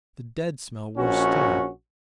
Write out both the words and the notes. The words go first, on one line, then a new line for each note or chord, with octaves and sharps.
The dead smell worse still!
A#1 C#4 F#4